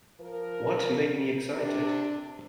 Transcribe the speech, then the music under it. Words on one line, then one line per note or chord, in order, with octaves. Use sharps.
What made me excited?
F3 A#4
C3 D4